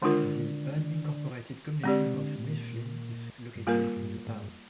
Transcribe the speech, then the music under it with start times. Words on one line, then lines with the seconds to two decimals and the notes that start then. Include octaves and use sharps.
The unincorporated community of Mifflin is located in the town.
0.02 D3 D#3 G#3 D4 F4 A#4
1.84 D3 G#3 C4 G4 D5
2.06 C3
2.14 D3
2.45 A#2
3.55 G2
3.67 G#2 G3 A#3 F4 A#4
3.96 G2
4.27 G#2